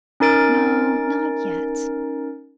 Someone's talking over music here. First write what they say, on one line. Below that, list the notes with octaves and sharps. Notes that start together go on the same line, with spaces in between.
'No, not yet.
C#4 D#4 A#4 A6 D7